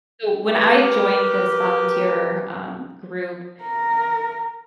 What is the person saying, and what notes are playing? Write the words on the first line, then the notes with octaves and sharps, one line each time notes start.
So, when I joined this volunteer, um, group M
G4 A#4 B4
A#4